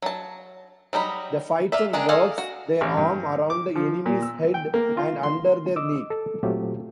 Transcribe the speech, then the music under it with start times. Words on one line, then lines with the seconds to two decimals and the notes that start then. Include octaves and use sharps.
The fighter wraps their arm around the enemy's head and under their neck.
0.02 F#3 A5
0.93 F#3 G3 D#4 B5
1.72 F4 D5 E5
1.93 D#3 G#3 A#3 D4
2.09 A4 D5 D#5 F5 G#5
2.38 F#4
2.81 A1
2.97 G2
3.50 D6
3.75 F3
4.06 A#2
4.22 E6
4.54 G5
4.74 A#3
4.97 F4
5.23 C6
5.76 D#5 D6 E6
6.10 A4
6.43 A#2 F#3 A3 C4 F4 G4